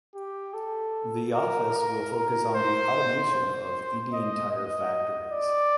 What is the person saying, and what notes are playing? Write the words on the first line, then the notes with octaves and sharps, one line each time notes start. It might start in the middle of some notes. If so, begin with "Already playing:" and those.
The office will focus on the automation of Indian tire factories.
G4
A4
A#4
A#4
A#4
C5
C5
D#5
D#5
D5